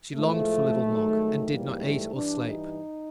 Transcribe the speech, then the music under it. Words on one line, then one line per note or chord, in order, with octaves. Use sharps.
She longed for Little Mok, and did not eat or sleep.
A2 F3 G#3 A3
G#2 D#3 F#3
G#2 E3 G3 A#3
A3
G2 E3 G3 D4
D#4